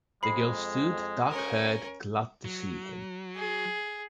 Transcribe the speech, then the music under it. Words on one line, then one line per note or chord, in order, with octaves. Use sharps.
The girl stood, dark-haired, glad to see him.
F2 G#3 B5 C7
D2 C#4 A#4
F#3
G#4